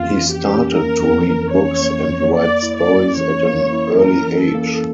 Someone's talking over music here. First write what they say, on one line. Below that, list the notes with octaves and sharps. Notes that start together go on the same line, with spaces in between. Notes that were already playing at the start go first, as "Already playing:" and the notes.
He started to read books and write stories at an early age.
Already playing: F2 E3 A#3 C#4 F4
E3
G4
C#4
A#3 A#4
F2
E3
C#4 C#5
A#3
F2
A#3 D5
E4
D5
C#4
E3 C#5
A#3
E4
C#4 A#4
E3
A4
A#3